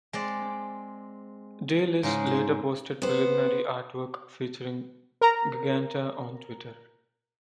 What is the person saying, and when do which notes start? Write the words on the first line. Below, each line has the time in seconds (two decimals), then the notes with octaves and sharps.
De Liz later posted preliminary artwork featuring Giganta on Twitter.
0.13 G#3 C4 D5
2.03 G#2 C#3 G#3
2.26 C5
3.02 B3 C5
5.21 A#4 A#5